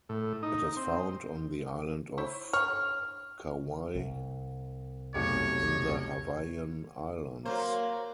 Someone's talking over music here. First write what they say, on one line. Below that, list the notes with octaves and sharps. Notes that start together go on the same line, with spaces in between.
It is found on the island of Kauai in the Hawaiian Islands.
A2
D#4
C4
E4 C5 C#5
D3 C#5 F6
C2
F1 B1 C#5 D6
F#3 A#3 C5